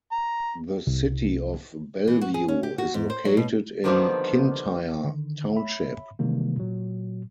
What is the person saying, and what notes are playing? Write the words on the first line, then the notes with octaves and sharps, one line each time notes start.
The city of Belview is located in Kintire Township.
A#5
C2
E3
F#4
G#4
C#4
G4
F#4
G#2
C5
F#3
B2
D3 D#3 F3 G3 A#3 B3
D3 D#3
C#5 E5 B5
C3 D#3 E3 G3 G#3 A#3
A#2 F#3